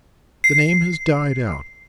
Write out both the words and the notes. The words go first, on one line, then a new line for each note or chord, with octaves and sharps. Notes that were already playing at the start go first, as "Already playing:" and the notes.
The name has died out.
C7